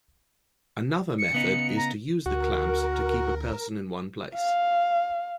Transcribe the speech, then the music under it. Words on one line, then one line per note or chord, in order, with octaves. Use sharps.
Another method is to use the clamps to keep a person in one place.
C#7
C#3 B3 D#4
A#5
D2 F#4 A#4
F5